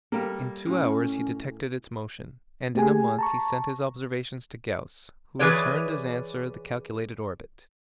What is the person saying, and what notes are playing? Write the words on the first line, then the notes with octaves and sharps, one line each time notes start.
In two hours he detected its motion, and in a month he sent his observations to Gauss, who returned as answer the calculated orbit.
G3 A#3 A4
A2 C#4
A3 A#3 G4 G#4 G#5
A5 A#5 C#6
E3 G#4 B4 C#5 D5